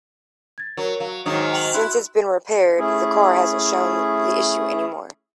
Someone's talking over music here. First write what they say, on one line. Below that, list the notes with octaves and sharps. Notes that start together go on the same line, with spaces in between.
Since it's been repaired, the car hasn't shown the issue any more.
G#6 A6
F#3 A#4 C#5
F#3 F5
G#2 D#3 F#3 C#5 D#6
G5 F7 F#7
E4 C6 F#6
A3 C#4 E4 G#4